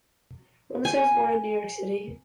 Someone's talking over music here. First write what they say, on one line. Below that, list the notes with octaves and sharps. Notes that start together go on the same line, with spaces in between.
Robinson was born in New York City.
G#5